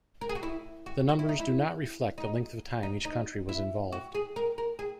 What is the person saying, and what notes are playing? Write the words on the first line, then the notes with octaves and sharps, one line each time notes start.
The numbers do not reflect the length of time each country was involved.
A#4
G#4
F#4
E4
F#4
F#4
E4
D#4
E4
D#4
D#4
D#4
E4
F#4
G#4
A#4
A#4
G#4